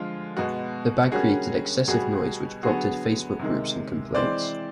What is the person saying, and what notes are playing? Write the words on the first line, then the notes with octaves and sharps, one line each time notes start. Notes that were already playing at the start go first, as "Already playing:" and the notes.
The bag created excessive noise, which prompted Facebook groups and complaints.
Already playing: D3 F3 G#3 F4
B2 G#3 B3 F#4
D3 G3 A#3 C#4 F#4 G#4
B2 G3 B3 F#4 G#4
D3 F#3 B3 F#4 G#4
C3 D#3 G#3
E3 G#3 C4 C5 D5